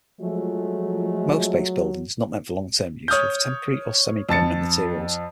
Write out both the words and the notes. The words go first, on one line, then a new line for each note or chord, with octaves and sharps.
Most base buildings, not meant for long-term use, were of temporary or semi-permanent materials.
F3 F#3 G#3 A3
C#5 D#6 F6 G6
F2 A5 A6 C#7